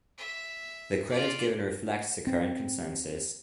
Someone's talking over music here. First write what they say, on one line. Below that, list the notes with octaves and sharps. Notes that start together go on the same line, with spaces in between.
The credit given reflects the current consensus.
E5
F4 D5
C4